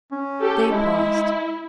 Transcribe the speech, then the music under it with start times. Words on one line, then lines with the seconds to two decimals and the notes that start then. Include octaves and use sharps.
They paused.
0.11 C#4
0.40 G4 A4
0.70 G#3 E4